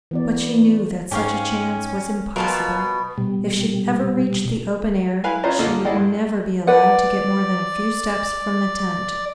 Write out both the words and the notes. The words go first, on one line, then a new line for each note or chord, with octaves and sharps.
But she knew that such a chance was impossible; if she ever reached the open air she would never be allowed to get more than a few steps from the tent.
E3 B3 D5
G#2 C#4 G4 C#5 F5
B2 F4 A#4 B4 F5 G#5 A5
B2 G3
E4 B4 F5 G#5
C#4 F4 B4 C5 D#5 A#5
D3 A#3 F4 D#5
E4 G#4 D5 D#5 F#5 G5
G2
B4 D5 F#5